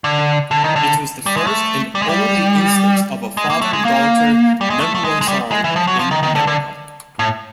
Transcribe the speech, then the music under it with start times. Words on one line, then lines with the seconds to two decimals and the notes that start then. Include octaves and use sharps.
It was the first and only instance of a father-daughter number-one song in America.
0.04 D3
0.51 D3
0.64 D#3
0.76 D3
1.26 G3
1.37 G#3
1.47 A3
1.95 G3
2.02 G#3
2.09 G3
3.37 G#3
3.50 A#3
3.61 A3
3.73 G#3
3.85 A#3
4.61 G3
4.70 G#3
4.80 A3
4.95 A3
5.04 G#3
5.21 G#3
5.28 G3
5.51 G#3
5.64 E3
5.76 F3
5.87 F#3
5.99 F3
6.11 D#3
6.23 D#3
6.35 D3
6.47 D3
7.19 A2